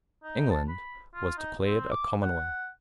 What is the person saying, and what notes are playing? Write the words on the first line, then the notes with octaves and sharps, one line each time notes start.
England was declared a commonwealth.
D#4
A5
B5
F4
D#4
C4
D6
F#5